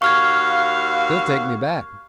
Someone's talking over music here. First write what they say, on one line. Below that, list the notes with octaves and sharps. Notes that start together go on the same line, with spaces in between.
He'll take me back.
D#2 F#4 F5 C#6 F6 G#6